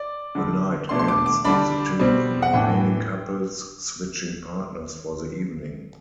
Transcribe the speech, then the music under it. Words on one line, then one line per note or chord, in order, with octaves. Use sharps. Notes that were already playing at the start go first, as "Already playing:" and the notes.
The night ends with the two remaining couples switching partners for the evening.
Already playing: D5
D3 G3 D4
B2 A3 D4 C6
C6
D6
D6
D3 G3 D4 B5
B2 G3 C4
F#5
A2 E3 B3 D4 G5